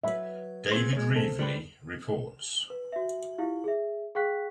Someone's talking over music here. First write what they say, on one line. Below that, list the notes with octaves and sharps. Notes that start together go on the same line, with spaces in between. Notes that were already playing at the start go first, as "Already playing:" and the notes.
David Reevely reports.
F#3 B4 E5 B5
C4 G#4 C5
B1 G#3 C#5
C4 A4
G3 G4 B4 C5
B4
F#4 E5
E4 F4 G4 F5
G#4 E5
G#4 F5 G5 C#6 F#6 B6